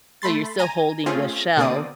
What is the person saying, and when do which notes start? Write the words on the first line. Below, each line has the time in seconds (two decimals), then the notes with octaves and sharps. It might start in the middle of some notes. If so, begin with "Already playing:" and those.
So, you're still holding the shell,
0.22 A3 B5 C6 A6
0.59 G#5 A#5 A#6 D#7
1.06 A3 C4 C#4 F4 G#4
1.57 B2 D3 A#3 C4 D5 D#6